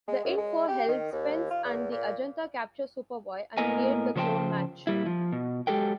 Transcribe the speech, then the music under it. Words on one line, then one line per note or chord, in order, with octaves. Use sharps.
The info helped Spence and the Agenda capture Superboy and create the clone Match.
G#3
F#2
G#3
G4
D#3
D#2
F4
E2
A#2
A2 A#3 B3 A#4 D#5 G#5
C#3 F3 C5 C#5 G5 A5
A#2 G3 E4
F3
B2
F#3 G#3 G4 A4 A#4 G5